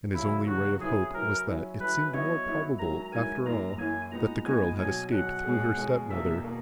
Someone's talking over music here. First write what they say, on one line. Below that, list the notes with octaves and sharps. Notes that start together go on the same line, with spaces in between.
And his only ray of hope was that it seemed more probable, after all, that the girl had escaped through her stepmother.
E2 C#3 F#3 E4
E2 C#3 F#3 F#4
F#3 C#4 E4 G#4 B4
F#3 C#4 E4 A#4 B4
F#3 C#4 E4
F#3 C#4 E4 B4
F#3 B3 E4 B4 C#5 D#5
F#3 B3 E4 B4 D#5
G#2 F#3 C#4 E4 A#4 A#5
G#2 F#3 C#4 E4 A#4 G#5
F#2 E3 A#3 C#4 A#5
F#2 E3 A#3 C#4 G#5
A#2 G#3 B3 D#4 A#5
A#2 G#3 B3 D#4 G#5
B2 F#3 C#4 G#5
B2 F#3 C#4 F#5
B2 G#3 C#4 G#4
B2 G#3 C#4 G#4
E2 B2 A#3 E5
B2 A#3